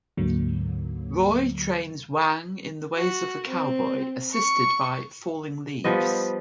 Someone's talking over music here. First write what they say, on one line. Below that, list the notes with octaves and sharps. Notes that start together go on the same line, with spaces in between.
Roy trains Wang in the ways of the cowboy assisted by Falling Leaves.
D2 G#2 D3 F#3 A#3
F#4
C4
C#6
F3 G3 B3 D#5